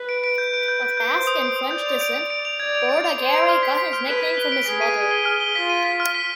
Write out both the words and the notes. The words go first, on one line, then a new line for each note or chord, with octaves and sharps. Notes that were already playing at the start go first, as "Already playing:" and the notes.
Of Basque and French descent, Bordagaray got his nickname from his mother.
Already playing: B4
D7
D7
G6
B4 D7
G6
G6
G6
C5 G6
D#6
D7
D#6
D5 G6
F7
D7
D7
D7
F7
D5 G#6
F7
D7
F7
C5 F7
D7
F6
B6
B6
F6
B4 B6
B6
G7
D7
G#4 B6
D#7
D#7
G7
F6
G7
F4 B6
D#7
B6
F6
B6